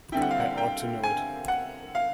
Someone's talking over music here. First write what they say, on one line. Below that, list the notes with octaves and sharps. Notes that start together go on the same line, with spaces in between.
I ought to know it.
D3 G3 C4 E4 G5
F#5
F5
F#5
G5
G#5
F#5
F5